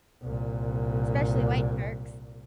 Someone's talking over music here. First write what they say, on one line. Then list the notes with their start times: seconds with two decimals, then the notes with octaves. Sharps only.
especially white sharks.
0.22 C2 A#2